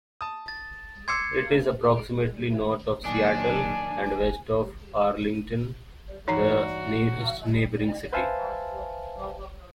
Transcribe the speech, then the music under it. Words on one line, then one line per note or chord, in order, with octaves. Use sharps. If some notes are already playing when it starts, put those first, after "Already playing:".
It is approximately north of Seattle, and west of Arlington, the nearest neighboring city.
A5 D#6
A6
C6 D6 E6 G#6 C7 C#7
A#2 D#3 F#3 D4 G#5
G2 E3 D#4 F#4 C#5 D5 A#5 C7
B4 C5 E5 F5 G#5 A5